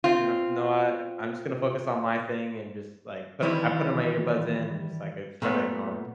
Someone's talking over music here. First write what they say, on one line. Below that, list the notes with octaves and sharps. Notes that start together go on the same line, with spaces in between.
"You know know what? I'm just gonna focus on my thing," and just, like, put I put all my earbuds in and just, like, uh, try to ignore it.
C4 F4
D#3 E3 G3 C4 E4
A#2 A3 B3